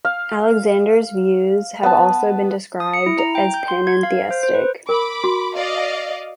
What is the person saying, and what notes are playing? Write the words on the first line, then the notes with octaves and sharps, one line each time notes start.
Alexander's views have also been described as panentheistic.
F5
B3 A5
D#6
C#7
E4
A#5
G5
G6
C6
G#6
F5
C5
C5
B4
A#4 B5 D6
F#4
D5 D#5 F5